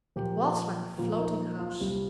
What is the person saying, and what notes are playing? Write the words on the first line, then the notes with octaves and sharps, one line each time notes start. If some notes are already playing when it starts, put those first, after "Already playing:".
It was like a floating house.
A#2 F3 A#3 G4
A#2 F3 A#3 F4
D#4
F4
C2 C3 G3